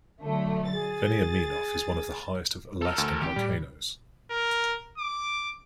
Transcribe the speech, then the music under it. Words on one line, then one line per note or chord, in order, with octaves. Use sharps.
Veniaminof is one of the highest of Alaskan volcanoes.
D3 F#3 A3
G#4 A6
A4 A#4
D2
E3 C4 G4
A2 G3
A#4
D6